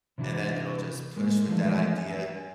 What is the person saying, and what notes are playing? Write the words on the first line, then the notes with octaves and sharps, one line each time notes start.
And then it'll just push with that idea,
C3 E3 D4 E4 F#4
A2 G#3 A#3
E3 F3 G#3 A3 C4 D#4
E5 G#5